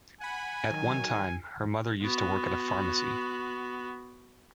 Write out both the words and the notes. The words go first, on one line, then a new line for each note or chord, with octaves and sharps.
At one time, her mother used to work at a pharmacy.
F#5 G#5 B5
D#3 F#3
B3 F#4